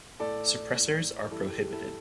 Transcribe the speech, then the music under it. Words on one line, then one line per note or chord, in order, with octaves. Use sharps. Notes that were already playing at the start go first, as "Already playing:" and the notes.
Suppressors are prohibited.
A2 A3 A4 D5
A2 A3
G2 E3 G3 E4 A4
G4
G4
E4 A4